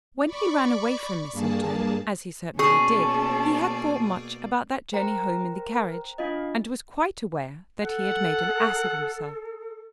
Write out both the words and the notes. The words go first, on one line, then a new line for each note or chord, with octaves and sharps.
When he ran away from Mistletoe, as he certainly did, he had thought much about that journey home in the carriage, and was quite aware that he had made an ass of himself.
D5 B5 C#6 D6
G2 A#3 G#4 A5
B2 A#3 C#4 G#4 D5 A5 C#6
A#4 C5 G5 A#5
D4 F4 D#5 F5
A4 F#5